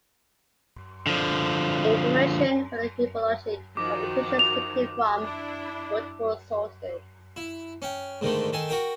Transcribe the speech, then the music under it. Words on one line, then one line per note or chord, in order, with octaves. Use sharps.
Information for the hippology competitions is taken from multiple sources.
D3 F3
D#3 F3 F#4 D6
F7
D4 E4
E4
C#4 G5
G#2 D3 D#3 A3
D#3 A4 G#5
F#4 A#4 G5